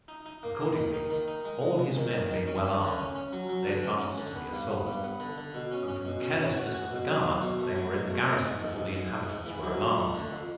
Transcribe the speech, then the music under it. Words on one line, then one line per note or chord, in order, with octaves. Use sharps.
Accordingly, all his men being well armed, they advanced to the assault; and, from the carelessness of the guards, they were in the garrison before the inhabitants were alarmed.
D#4
D#4
A#3
A#3
D#3
D#4
D#3
D#4
G#3
G#3
G#3
D#3
D#3
D#3
C#4
C#4
D3
C#4
C#4
F#3
F#3
D3
C#4
C#4
D3
B3
G2
B3
G2
B3
D3
D3
B2
C#4
C#4
B2
C#4
C#4
F#4
F#4
B2
F#3
B2
B2
A3
F#3
B2
A3
G#3
G#2
G#2
G#2
G#3
G#2
G#2
E3
F#3
F2
A3
D3
F2